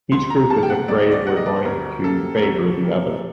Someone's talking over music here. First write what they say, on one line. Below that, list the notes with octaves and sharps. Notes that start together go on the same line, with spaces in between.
Each group is afraid we're going to favor the other.
D2 C6
A#5
C3 G3 A#3 A5
G5
F#5
D2 D5
D#5
D5
C3 G3 A#3 F#5
D#5
D5
C5
D2 A#4
C3 G3 A#3 A4
A#4
D2 A4
C3 G3 A#3